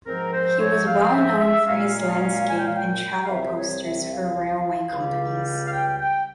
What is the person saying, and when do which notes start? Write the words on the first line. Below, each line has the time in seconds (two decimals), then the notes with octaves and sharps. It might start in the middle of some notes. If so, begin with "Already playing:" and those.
He was well known for his landscape and travel posters for railway companies.
0.06 G#2 F3 C4 A#4
0.33 C5
0.60 C#5
0.87 F5
1.05 F5
1.13 E5
1.40 E5
1.67 A#2 G#3 C#4 F5
2.48 G#5
2.58 G5
2.67 F5
2.75 G5
3.25 F5
3.29 C2 C3 G3 C4 E5
3.57 C#5
3.83 E5
4.10 F5
4.91 C#2 C#3 G3
5.67 F5
5.72 G5
5.99 G5